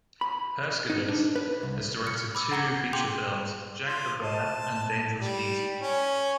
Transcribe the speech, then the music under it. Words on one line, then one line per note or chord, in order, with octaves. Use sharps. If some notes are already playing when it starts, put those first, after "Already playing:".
Herskovitz has directed two feature films, "Jack the Bear" and "Dangerous Beauty".
B5
D#4
D4
B4
C2
F6 C#7
B5 D6 E6
F#5 A#5 D6 C#7
G#4 G5 C6 D6 G6 F7
F4
A5
G3
C#4